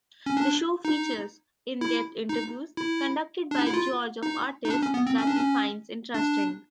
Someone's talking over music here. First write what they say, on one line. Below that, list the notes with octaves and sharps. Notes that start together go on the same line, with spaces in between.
The show features in-depth interviews conducted by George of artists that he finds interesting.
C#4
D4
D#4
E4
D#4
E4
D4
D#4
E4
F4
D#4
D#4
D4
C#4
B3
C4
C#4
D4
C#4
D4